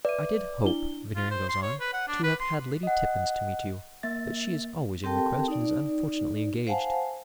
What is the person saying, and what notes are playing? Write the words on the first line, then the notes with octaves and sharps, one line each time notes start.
'I did hope,' Veneering goes on, 'to have had Lady Tippins to meet you; but she is always in request, and is unfortunately engaged.'
B4 D5 E5 D#7
D4 E4 G7
F4
C5
C6
C#5
B4
F#5
D4
B4
C6
D#5 F#5
A#3 E5 A6
C4 G4 A4 A#4 G5 A5
D#4 D5
C5 F5 F#5 G#5 A5